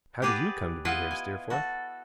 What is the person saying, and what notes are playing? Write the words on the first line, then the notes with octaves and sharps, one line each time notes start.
How do YOU come to be here, Steerforth?'
G4 G#4 B4 D5 F#5
B3 E4 F4 B4 D#5
G#5
F#4 A4